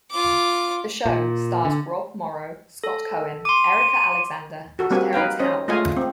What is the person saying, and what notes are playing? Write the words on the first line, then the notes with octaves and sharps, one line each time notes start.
The show stars Rob Morrow, Scott Cohen, Erica Alexander and Terrence Howard.
F4 D6
A#2
D3
A4
C6 D6 D#7
F#4 A4
G3 A#3 C4 F#4 G#5
D#4 B4 F5 G5
C#4 C5 D#5
G#3 A3 F4 D#5 F5 G#5
C4